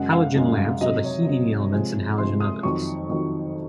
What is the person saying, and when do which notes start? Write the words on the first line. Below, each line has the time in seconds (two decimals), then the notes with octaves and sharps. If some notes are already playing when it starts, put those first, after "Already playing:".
Halogen lamps are the heating-elements in halogen ovens.
Already playing: F#2 C#3 G#3 F#5
0.12 F5
0.35 F#2 C#3 G#3
0.58 F5
0.81 C3 F#3 D#5
1.04 C#5
1.27 C3 F#3
1.73 C3 F3 G#3
2.18 C3 F3 G#3 C6
2.40 D#6
2.63 F2 D#3 F#3 C#6
3.09 F2 D#3 F#3